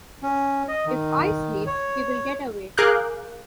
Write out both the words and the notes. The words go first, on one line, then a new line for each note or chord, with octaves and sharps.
If I sleep — he will get away.
C#4
D#5
D#3
C#5
G#4 A#4 F5 D6 F#6 G6